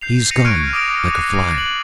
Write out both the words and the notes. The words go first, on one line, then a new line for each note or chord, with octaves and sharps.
He is gone, like a fly.
G6 C7 F7
A#6 C#7 D#7 F7
C#6 F6 F#6 G#6 D7 D#7
D6 D#6 F6 A#6 D7 F7
F#6 A#6 C7
A6 F#7